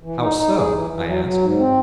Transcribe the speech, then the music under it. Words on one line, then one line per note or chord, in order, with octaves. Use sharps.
"How so?" I asked.
E3
D#4
D#4
G#4
E3
E3
F#3
F#3
G#2
C4